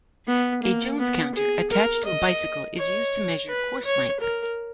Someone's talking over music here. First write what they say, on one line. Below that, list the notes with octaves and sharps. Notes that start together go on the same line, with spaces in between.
A Jones Counter attached to a bicycle is used to measure course length.
B3
A#3
B3
G#4
A#4
D#5
C#5
B4
C#5
A#4